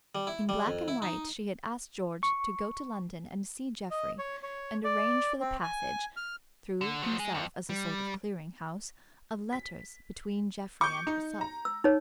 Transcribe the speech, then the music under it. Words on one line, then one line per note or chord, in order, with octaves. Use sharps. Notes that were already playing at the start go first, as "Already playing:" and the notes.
In black and white she had asked George to go to London and see Geoffrey and arrange for the passage--through himself as a sort of clearing-house--of letters between Geoffrey and herself.
G3
E4
G3
F2
E4
D#4
C#6
D#5
C#5
C#5
D5
C4
G#5
F6
D3
F3 F#3
G#3
F2
G3
B6
C#6 D6 G6
D#4
A#5
E6
D#4 C#5